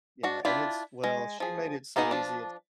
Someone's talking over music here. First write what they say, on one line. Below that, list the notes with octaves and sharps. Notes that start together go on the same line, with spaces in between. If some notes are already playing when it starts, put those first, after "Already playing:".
Yeah, and it's well, she made it so easy it's
D4 F#4
D4 E4 F4 D5 G5
G#3
F3 G#4
A#3 B3 D#4 G#4 F#5
F3 D4